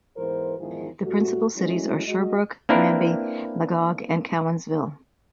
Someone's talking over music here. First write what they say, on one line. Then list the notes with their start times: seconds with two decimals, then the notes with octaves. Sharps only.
The principal cities are Sherbrooke, Granby, Magog, and Cowansville.
0.17 G#2 E3 B3 A#4 C5
0.59 E2 G#2 D#3 F3 E4 G#4
1.03 A2 G3 A3 F#4
1.56 F#3 G#3 A3 C#4 E4
2.06 G#3 F#4 D#5
2.69 A#3 C4 D4 E4 A#4 B4